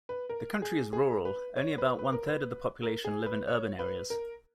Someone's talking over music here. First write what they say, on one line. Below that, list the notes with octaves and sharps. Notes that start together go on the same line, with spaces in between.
The country is rural: only about one-third of the population live in urban areas.
B4
A#4
G#4
G#4
B4
C#5
B4
B4
A#4
B4
A#4
G#4
B4
C#5
B4
A#4